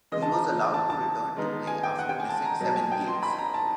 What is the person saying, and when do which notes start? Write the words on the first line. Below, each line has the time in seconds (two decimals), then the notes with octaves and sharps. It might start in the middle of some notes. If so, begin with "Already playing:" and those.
He was allowed to return to play after missing seven games.
0.12 C#3 E3 G#3 D#5
0.22 A5
0.32 A#5
0.74 A5
0.90 A5
1.36 D#3 G#3 B3 D#4
1.67 G#5
1.83 G5
1.99 F#5
2.09 G5
2.20 G#5
2.29 A5
2.45 A#5
2.60 B2 F#3 B3 A5
2.76 G#5
2.92 G5
3.08 C6
3.23 B5
3.38 A#5
3.54 A5